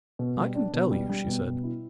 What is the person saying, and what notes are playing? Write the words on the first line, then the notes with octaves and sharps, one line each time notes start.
"I can tell you," she said.
B2
G3
D4
B2
G3
G3
B2
B2
E4